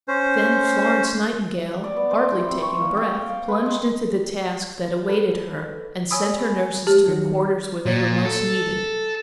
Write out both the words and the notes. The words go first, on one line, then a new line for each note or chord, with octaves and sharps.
Then Florence Nightingale, hardly taking breath, plunged into the task that awaited her and sent her nurses to the quarters where they were most needed.
C#4 C5
D5
B3
C5
E3
C4
C#6
A#3
G5
F5
F5
B4
G#3
A4 B4
C#5 G#5 B5 D#6 E6
G#3 G4 A5
D#3 F#3
A#2
A4